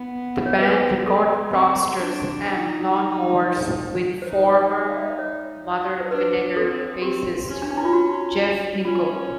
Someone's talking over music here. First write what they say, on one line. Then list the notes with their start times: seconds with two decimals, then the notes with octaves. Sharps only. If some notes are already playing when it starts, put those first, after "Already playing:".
The band recorded Rockstars and Lawnmowers with former Mother Vinegar bassist Jeff Hinkle.
Already playing: B3
0.46 C#5
0.53 C5
0.62 B4
1.08 A4
1.53 C4
1.99 D4
2.45 D#4
3.36 D5
4.22 C5
4.27 D#4 C#5
4.73 D5
4.89 F5
4.97 E5
5.03 D#5
5.11 D5
5.19 C#5
6.01 C5
6.11 D4 B4
6.57 C4 A4
7.02 C4 G4
7.48 C#4
7.62 D4
7.71 D#4
7.77 E4
7.85 F4
7.93 F#4
8.84 C#4 F4